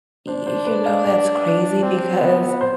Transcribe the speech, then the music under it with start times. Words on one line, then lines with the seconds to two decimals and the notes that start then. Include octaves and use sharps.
Y you know, that's crazy because
0.28 D4 C5
0.47 C5
0.66 B4
0.86 F5
1.05 D5
1.83 C4
2.22 B3
2.61 C5